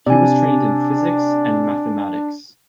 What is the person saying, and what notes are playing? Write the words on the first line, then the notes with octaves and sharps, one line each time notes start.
He was trained in physics and mathematics.
C3 D4 D5 G#5